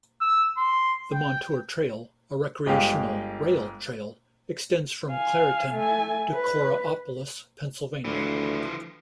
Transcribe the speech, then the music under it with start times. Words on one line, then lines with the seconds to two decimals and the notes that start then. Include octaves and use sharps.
The Montour Trail, a recreational rail-trail, extends from Clairton to Coraopolis, Pennsylvania.
0.21 E6
0.57 C6
1.14 G5
2.66 G1 G#3 G4 F5
5.11 F5 G#5
5.74 A3 G#5
6.33 B4
8.05 D2 E3 F3